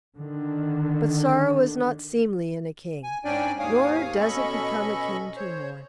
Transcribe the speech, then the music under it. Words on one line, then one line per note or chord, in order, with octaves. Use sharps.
But sorrow is not seemly in a king, nor does it become a king to mourn.
D3 D#3
G#5
G#2 C#4 D4 D5 G5 G#5
D#2 G#2 C#5 F5 G#5 D#6
B2 C#4 A4 D#5 B5 C#6
C5 C#5